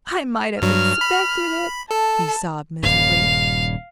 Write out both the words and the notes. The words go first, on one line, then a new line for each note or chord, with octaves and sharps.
"I might have expected it," he sobbed, miserably.
G2 F#3 F6
B5
A4 A5
D#1 G2 F5